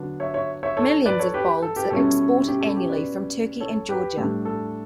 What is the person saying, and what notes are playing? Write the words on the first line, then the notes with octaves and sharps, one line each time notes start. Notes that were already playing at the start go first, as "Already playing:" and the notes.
Millions of bulbs are exported annually from Turkey and Georgia.
Already playing: D3 F#3 B3 D4
C#5 E5
C#5 E5
C#5 E5
A4 C#5
B4 D5
A4 C#5
G4 B4
A4
G4 B4
B2 G3 C#4 E4 A4
G4
A4
G4
B4 D5
A4 C#5
G4 B4
A2 G3 D4 A4
A4